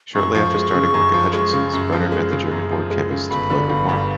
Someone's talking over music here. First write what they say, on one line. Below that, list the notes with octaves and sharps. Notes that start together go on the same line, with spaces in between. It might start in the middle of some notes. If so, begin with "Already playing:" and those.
Shortly after starting work at Hutchinson's, Brunner met the German-born chemist Ludwig Mond.
F#2 C#6
F3
G#3
C#3
F#2
F3
G#3
C#3
F#2
F3
G#3
C#3
F#2
F3
G#3
C#3
G1 B5
D3
G1
G2